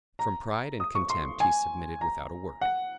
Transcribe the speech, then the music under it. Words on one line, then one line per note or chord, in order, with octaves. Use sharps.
From pride and contempt he submitted without a word.
A#5
D#6
C#6
C6
G#5
A#5
F#5